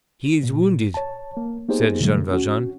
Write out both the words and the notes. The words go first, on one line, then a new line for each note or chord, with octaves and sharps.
"He is wounded," said Jean Valjean.
A#2
C#5 A5
A#3
A#3 B3 D#4 G4 G#4 C5
B2 D3 F#3 G3 A3
C#4 F#4